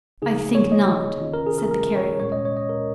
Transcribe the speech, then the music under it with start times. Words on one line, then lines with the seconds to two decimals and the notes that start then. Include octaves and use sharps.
"I think not," said the Carrier.
0.22 C#3 A#3 D#4 G#4
0.55 C#5
0.72 D#5
1.21 D#3 C#4 F4
1.34 A#4
1.46 G#4
1.58 A#4
1.71 A#4
1.96 C#5
2.20 A#2 G#3 C#4 C#5
2.32 D#5
2.45 C#5
2.57 D#5
2.69 A#4